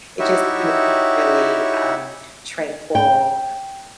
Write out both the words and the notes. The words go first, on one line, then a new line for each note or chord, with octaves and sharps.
It just creates really, um, tranquil,
D#4 E4 F#4 G4 C#5 E5
G5